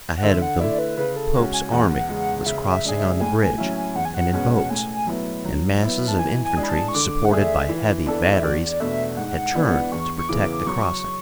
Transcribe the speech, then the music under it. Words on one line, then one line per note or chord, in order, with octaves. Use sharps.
Ahead of them Pope's army was crossing on the bridge and in boats, and masses of infantry supported by heavy batteries had turned to protect the crossing.
F#5
D3 E5
F#5
A3 E4 D5
B4
C#3 B4
A4
G#3 C#4 F#4
G#5
E2 F#5
G#5
F#5
C#3 G#3
C#3 E5
G#3 D4 G#4
A2 G#5
F#3 C#4 E4
E2 F#5
G#5
F#5
B2 G#3 C#4
A2 G#5
F#3 B3 E4
F#3
B3 E4
A5
E3 G#5
G#5
G#3 D4 G#4
B5
A5
C#6
D3 D6
F#5
A3 D4 G#4 E5
E3
B3 D4 A4
E5
E2 D5
B2 A3 D4 E5
G#2 F#5
E3 B3 D4
E2 C#6
C#6
C#3 E3 B3 D6
F#3 C#6